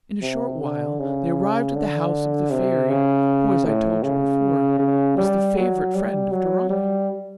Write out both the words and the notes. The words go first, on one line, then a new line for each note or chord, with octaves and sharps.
In a short while they arrived at the house of the fairy who, as I told you before, was the favourite friend of Dorani.
C3
D3
C#3
D3
C3
C#3
A2
C#3
C#3
G3
F#3
G3
F#3
G3